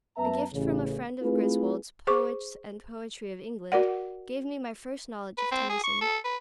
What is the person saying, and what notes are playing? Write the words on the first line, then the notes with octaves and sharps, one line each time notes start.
A gift from a friend of Griswold's "Poets and Poetry of England" gave me my first knowledge of Tennyson.
F#2 B3 B4 E5 A5 A#5
A1 C#3
A3 C4 E4 F4 G#4 B4
G#4 C5 C#6 D6
F#4 A#4 D5 F#5
B4
C4
G#4
C#6
A4
B4